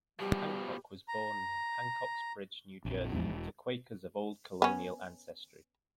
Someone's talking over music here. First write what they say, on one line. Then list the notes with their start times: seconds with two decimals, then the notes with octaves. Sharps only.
Hancock was born in Hancock's Bridge, New Jersey, to Quakers of old colonial ancestry.
0.20 B2 F3 G3 G4
1.08 A#5
2.85 A#1 F2
3.13 A1 E2 F3 G#3
3.29 E1
4.62 B3 C#4